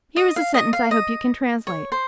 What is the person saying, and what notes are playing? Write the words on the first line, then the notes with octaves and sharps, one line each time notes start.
"Here is a sentence I hope you can translate."
D#5
F5
D#5
F5
D#5
C#5
C5